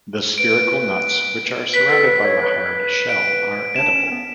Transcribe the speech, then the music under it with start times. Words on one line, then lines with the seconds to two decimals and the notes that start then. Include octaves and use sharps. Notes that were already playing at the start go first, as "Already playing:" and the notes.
The spherical nuts, which are surrounded by a hard shell, are edible.
0.38 B4 D7
1.74 B4 B6
1.90 A4
2.07 B4
2.24 C#5
2.41 B4
3.09 D7
3.76 D4 E7
3.93 C#4
4.06 C#4
4.10 B3